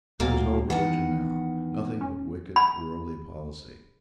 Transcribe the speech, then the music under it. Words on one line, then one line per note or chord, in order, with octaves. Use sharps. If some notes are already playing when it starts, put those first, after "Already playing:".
There is no religion now, nothing but wicked, worldly policy.
D2 A#2 F#3 A#3
E2 D#3 E3 F#5
C#4
B5